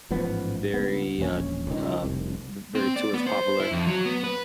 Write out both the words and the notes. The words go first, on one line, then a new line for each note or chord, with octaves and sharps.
very, uh uh, v very tourist popular,
A1 G#2 F3 B3
C#2 B3
E1 A#1 B2 C#4
C#2 D#3
F1 C2
C4
D5
B3
C5
E4
F2
F#3
B3
B4